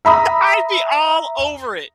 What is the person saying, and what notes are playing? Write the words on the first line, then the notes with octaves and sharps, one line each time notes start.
I'd be all over it.
E5 A#5 B5 D#6